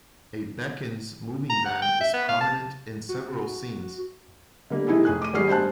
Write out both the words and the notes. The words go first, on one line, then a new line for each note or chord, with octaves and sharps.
A Bekins moving van is prominent in several scenes.
A#5
F#5
G5
E5
B3
F5
A5
F#4
D3 G3 A#3
C3 E3 D#4 E4 G#4 A4
F1 G#4 F#6
D6 D#7
G#1 F#3 G3 G#4 F6 C7
G2 C5 G#5 A5 F#6